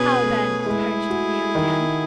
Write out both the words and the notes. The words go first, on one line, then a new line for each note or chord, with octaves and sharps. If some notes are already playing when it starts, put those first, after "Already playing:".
'How then?' urged the young man.
Already playing: B2 C#4 G#4 B4
A3
G#3 E4 G#4
F#4
D#3